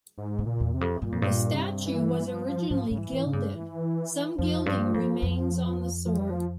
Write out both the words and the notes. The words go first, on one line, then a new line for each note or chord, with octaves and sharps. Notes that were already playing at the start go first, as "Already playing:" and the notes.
The statue was originally gilded; some gilding remains on the sword.
G#2
C#3
A#2
E2
C3
F2
G2 A#2
F2
G2
A#2
C#3
C3
E3
F3
G#2 F3
G#2 C#3
E3
G#2
C#3
G2
E3
F2 F3
G2
F2
F2
F3
G3
F3